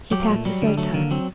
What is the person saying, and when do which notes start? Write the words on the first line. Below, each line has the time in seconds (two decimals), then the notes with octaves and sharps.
He tapped a third time.
0.11 F#3 G4
0.22 A#3
0.28 A#2 A3
0.45 F#3 G3
0.62 D3
0.67 G3
0.78 F#3 A3
0.94 D3 A#3
1.11 F#3 C4